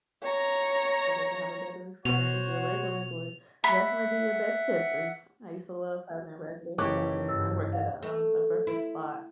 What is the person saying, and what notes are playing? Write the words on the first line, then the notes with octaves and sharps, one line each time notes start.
so they can have a better experience. Your regulars would definitely be your best tippers. I used to love having regulars come in. I worked at a, um, a breakfast spot,
C#5 A#5
B2 F#4 C5 C#5 F7
E5 F#5 B5
F#1 E3 G4 C#5 D6 F#6
G2 E6 A6
F5 F#5
A3
E4